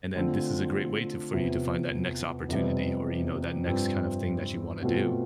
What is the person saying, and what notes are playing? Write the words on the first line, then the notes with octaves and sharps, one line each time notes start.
and then this is a great way to for you to find that next opportunity, or, you know, that next kind of thing that you wanna do.
D3 A3 C4 F4
E2 C3 F3
F2 C3 G3 B3
G2 F3 C4
B2 A3 C4 F4